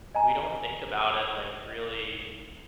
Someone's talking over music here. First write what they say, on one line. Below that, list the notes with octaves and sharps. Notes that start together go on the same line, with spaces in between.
we don't think about it, like, really
D#5 G#5 A#5